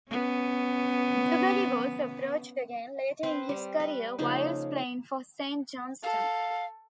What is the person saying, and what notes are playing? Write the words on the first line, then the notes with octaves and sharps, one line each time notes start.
Duberry was approached again, later in his career, whilst playing for Saint Johnstone.
B3 C#4
C4 B4 C5
G3
B4
C#3 F3 A#3 D#4
A4 F5